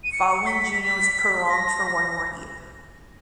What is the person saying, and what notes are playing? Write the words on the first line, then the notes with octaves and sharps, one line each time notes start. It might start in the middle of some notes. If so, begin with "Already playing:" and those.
Following June it was prolonged for one more year.
D#7
C#7
C#7
B6
B6
B6
A#6